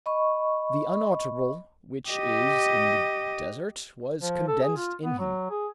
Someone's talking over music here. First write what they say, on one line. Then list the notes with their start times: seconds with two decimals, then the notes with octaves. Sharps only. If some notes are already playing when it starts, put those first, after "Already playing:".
The unutterable which is in the desert was condensed in him.
0.06 D#5 B5 C#6
2.09 G4 D#5
4.21 F3
4.48 A4
4.63 G#4
4.76 F4
5.04 B3
5.19 F#3
5.50 G#4